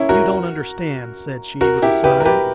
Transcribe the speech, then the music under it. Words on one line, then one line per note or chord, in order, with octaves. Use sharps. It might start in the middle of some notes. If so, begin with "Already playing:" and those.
"You don't understand," said she, with a sigh.
Already playing: A#3 C#4 E4
F#4 A#4
F#4 A#4
E4 G4
G4 B4
A#4
G4 B4